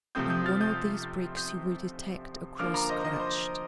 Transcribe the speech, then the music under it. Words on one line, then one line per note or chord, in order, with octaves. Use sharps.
On one of these bricks you will detect a cross scratched.
C3 F3 A3 C4 D#6 G6
D#6 G6
F6 A6
D#6 G6
D#6 G6
D3 F3 A#3 D6 F6
A#5 D6
C5 D#5
C5 D#5
C5